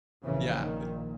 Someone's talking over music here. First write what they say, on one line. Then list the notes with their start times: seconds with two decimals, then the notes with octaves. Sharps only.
Yeah, it's
0.23 A#1 A#2 C#3 E3
0.59 D#3